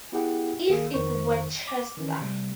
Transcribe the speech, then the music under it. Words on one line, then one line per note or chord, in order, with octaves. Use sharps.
If it were Chester!
B3 E4 G4 G#4 F#5 G5
B1 D#3 A#3 G#4 A4 E6
F2 D#3 C5 C#6
D6
D#3 E3 C#4
C3 G3 A3